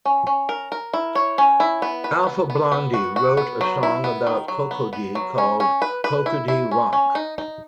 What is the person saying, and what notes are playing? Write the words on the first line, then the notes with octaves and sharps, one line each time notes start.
Alpha Blondy wrote a song about Cocody, called Cocody Rock.
C#4
C#4
A#4
A#4
E4
C#5
C#4
E4
B3
B4
B3
B3
B3
F#4
F#4
B3
F#3
E4
B3
D#3
F#3
B3
B3
F#3
C#4
C#4
B4
B4
E4
E4
C#4
C#4
D#4
D#4